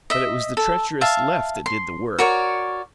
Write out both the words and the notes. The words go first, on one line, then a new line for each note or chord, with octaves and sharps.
But it was the treacherous left that did the work.
D#5 E5
A4
E5 F5 A5
C6
F#4 A#4 C#5 D5